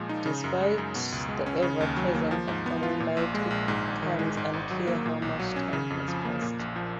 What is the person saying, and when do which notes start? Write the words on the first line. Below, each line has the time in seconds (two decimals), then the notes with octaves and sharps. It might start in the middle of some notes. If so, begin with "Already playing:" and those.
Despite the ever-present afternoon light, it becomes unclear how much time has passed.
Already playing: A#2 F3 G#3
0.09 D#4
0.26 C#3
0.44 F#2
0.60 G#3
0.78 F#2
0.95 B2
1.12 C#2
1.29 G#3
1.46 C#4
1.62 C#3
1.81 D#2
1.97 F#3
2.15 A#3
2.31 F3
2.48 G#2
2.66 B3
2.83 F4
3.00 A#2
3.17 A#1
3.35 G#3
3.51 A#1
3.68 G#2
3.85 G#1
4.03 D#3
4.19 G#3
4.37 G#2
4.53 G#1
4.71 F#3
4.87 A#3
5.06 A#2
5.22 B1
5.40 F#3
5.56 C#4
5.73 C#3
5.90 F2
6.08 F3
6.25 A#3
6.42 A#2
6.59 A#1
6.76 F3